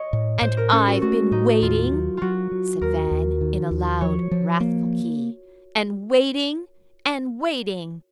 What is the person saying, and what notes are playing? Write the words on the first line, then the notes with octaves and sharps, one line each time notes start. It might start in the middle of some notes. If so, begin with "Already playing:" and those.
"And I've been waiting," said Van, in a loud wrathful key, "and waiting--and waiting!"
Already playing: C#5 D#5
A2
A2 C5
A#4
C#4 A4
F#4
A3 F#4
A2 D#4
D#2 F4
F#3
F#3 F4 F#4
F#3
D#2 A#4
D#2
D#3
D#2
F3 C#5
F3
A#3